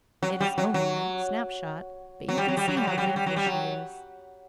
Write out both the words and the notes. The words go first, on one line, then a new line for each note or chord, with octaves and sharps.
It is only a snap shot, but you can see how beautiful she is.
F#3
G3
F#3
F#3
F#3
G3
F#3
G3
F#3
G3
F#3
G3
F#3
G3
F#3
G3
F#3